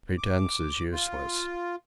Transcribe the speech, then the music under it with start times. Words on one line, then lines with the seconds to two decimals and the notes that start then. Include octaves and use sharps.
Pretence is useless.
0.18 D6
0.92 F4